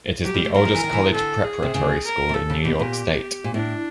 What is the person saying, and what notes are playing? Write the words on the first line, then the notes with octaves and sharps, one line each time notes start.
It is the oldest college preparatory school in New York State.
F#3 G4
G3
A3
F#3 A#4
F3
E3
D#3
E3
D3 A4
G#4
C3
C#3
A#4
C3
C#3 A4
C#3
B2 G4
A#2
A#2
A2 D4